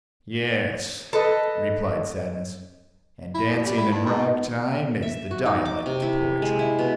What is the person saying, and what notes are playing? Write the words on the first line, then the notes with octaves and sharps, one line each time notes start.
"Yes," replied Sadness, "and dancing in rag-time is the dialect poetry."
A4 B4 D#5
E4
B2
G3
E4
G2
G#2
E5
F#4
D#4
D6
C3
E4
G#3
E4
B2